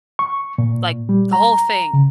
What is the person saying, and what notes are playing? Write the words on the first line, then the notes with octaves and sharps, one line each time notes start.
like, the whole thing,
C#6
A#2
G3
A#5
C#3